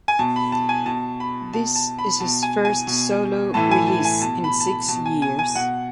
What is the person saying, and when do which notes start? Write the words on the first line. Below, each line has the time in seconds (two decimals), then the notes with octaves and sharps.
This is his first solo release in six years.
0.08 G#5
0.19 B2 A5
0.36 B5
0.52 A5
0.69 G#5
0.86 B2 A5
1.20 B5
1.53 B2 A5
1.75 A5
1.99 B5
2.20 B2 A5
2.43 G#5
2.65 G#5
2.87 B2
3.54 A2 E3 A5
3.71 G#5
3.88 A5
4.05 G#5
4.21 B2 A5
4.44 B5
4.60 A5
4.67 B5
4.88 B2 A5
5.06 G#5
5.22 G#5
5.39 G#5
5.55 B2 F#5